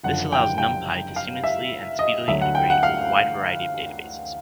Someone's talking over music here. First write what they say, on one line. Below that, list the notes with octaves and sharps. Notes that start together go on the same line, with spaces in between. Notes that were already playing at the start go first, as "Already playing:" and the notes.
This allows NumPy to seamlessly and speedily integrate with a wide variety of databases.
F#1 F#2 D3 F3 F#5
G5
G5
F5
E5
D#5
D2 D3 F#3 E5
F#5
G5
F#5
F5